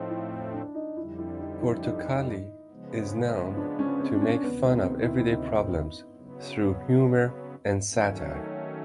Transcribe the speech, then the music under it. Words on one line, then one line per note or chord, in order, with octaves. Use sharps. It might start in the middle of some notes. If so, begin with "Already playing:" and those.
Portokalli is known to make fun of everyday problems through humor and satire.
Already playing: A2 F3 A3 C4 D#4
E4
D4
D#4
F2 D3 G3 E4
E4
D#4
E4
D#4
C#3 F3 G#3 B3
D4
C#4
C4
D4
C#4
D2 C3 D#3 B3
B3
C4
E4
E4
D#4
C#3 F#3 B3
D#3 F#3 A3 C#4